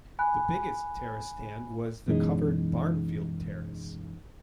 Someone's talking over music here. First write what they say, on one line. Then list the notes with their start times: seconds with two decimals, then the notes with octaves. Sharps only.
The biggest terrace stand was the covered Barnfield Terrace.
0.19 G#5 B5 F#6
2.07 F#2 B2 E3 G#3 C#4 D#4